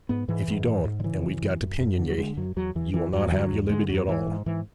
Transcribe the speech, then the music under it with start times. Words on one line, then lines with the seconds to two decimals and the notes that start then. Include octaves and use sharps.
If you don't, and we've got to pinion ye, you will not have your liberty at all.
0.09 G#2 B3
0.28 G#2 E3
0.48 G#2
0.67 G#2
0.85 G#2
1.00 D3
1.04 C#3 E3
1.23 F#2
1.42 F#2
1.61 F#2
1.80 F#2
1.99 D3
2.10 F#3
2.18 D3 G#3
2.37 F#2 F#3
2.56 E2 F#3
2.75 E2 E3
2.94 E2 E3
3.13 E2 F#3
3.32 D3 F#3
3.52 E2
3.70 D3 G#3
3.89 E2 F#3
4.08 G#2 E3
4.27 G#2
4.46 G#2 E3